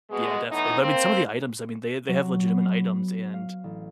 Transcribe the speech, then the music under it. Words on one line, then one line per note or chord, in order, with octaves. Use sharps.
Yeah, definitely, but I mean some of the items, I mean, they they have legitimate items and
B2 G#3
A2 E3 B3 D#4
A#3 C4
F#3
B3
F5
A1